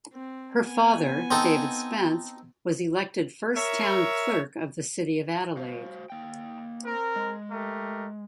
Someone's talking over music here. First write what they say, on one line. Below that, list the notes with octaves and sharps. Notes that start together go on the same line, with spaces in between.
Her father, David Spence, was elected first Town Clerk of the City of Adelaide.
C4
B3 G#5
C4 D#4 A4
A#4 C#5 E5
F#4 C5 F5
A#3 G5
C4 A#4
G#3
A3 G4 A#4